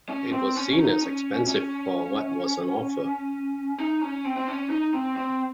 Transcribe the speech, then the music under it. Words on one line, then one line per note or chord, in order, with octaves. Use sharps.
It was seen as expensive for what was on offer.
C#4
C4
C#4
C#4
D#4
C#4
C#4
D#4
C#4
C4
C4
C#4
D#4
C4
C4